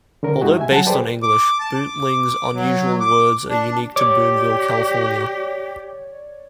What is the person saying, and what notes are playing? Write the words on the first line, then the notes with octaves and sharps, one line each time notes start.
Although based on English, Boontling's unusual words are unique to Boonville, California.
D3 C#4 A#4
G#2 G#3 D#4 E4 F#4 G4
E5 G#5
F#3 F#5 A5
G#4 A4 B4 C5 D5 G5
D6
A5
D6
F#3
D6
D4
G4 C#5 D5 D6